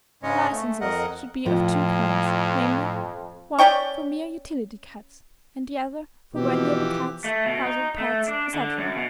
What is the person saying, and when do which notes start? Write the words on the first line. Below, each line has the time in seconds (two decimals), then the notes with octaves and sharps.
The licences should be of two kinds, namely:--one for mere utility cats, and the other for valuable cats, household pets, etc.
0.23 G#2 C#3 G#3 C#4 C#5 D#5
0.52 A3
0.81 F2 A#4 D#5 F#5
1.46 F2 A2 F3
3.58 C#4 D5 G5 C#6
6.35 B2 E3 F3 G4
7.24 A3
7.46 B2
7.66 D#4
7.98 A3
8.28 D4
8.54 D3
8.78 F#2
8.96 B2